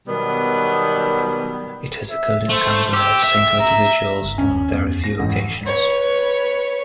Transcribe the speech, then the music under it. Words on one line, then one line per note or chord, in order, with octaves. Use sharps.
It has occurred in Cumbria as single individuals on very few occasions.
B2 D#3 F#3 G3 B3
E5
A3 C5
G4 E6
E5
A#5
F#1 G2
D#2 C#4
F2 B3
A#6
E1 A1 F2 G#2
B4 C#5